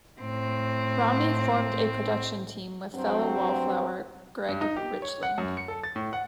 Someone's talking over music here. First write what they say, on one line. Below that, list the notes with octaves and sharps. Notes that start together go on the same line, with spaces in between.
Rami formed a production team with fellow Wallflower Greg Richling.
A2 C4
G2 F#3 C4
G2
D#4
G4
C#5
F#5
F#2
C#7
A4
A6
A2
F#5